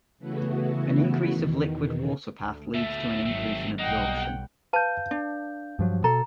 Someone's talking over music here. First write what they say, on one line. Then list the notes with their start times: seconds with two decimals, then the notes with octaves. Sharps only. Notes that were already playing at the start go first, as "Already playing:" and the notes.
An increase of liquid water path leads to an increase in absorption.
0.18 C#3 E3 A3 B3 E4 F#4
1.30 E2 B2 D#3
2.39 D2
2.74 B2 A3 E5
3.26 G#1 D#3 F#3 A3 C4
3.79 B1 G3 A#3 D#5 F#5 G5
4.73 B4 F5 A5 G6
5.11 D4
5.79 G2 F3 F#3
6.04 B2 A4 A#5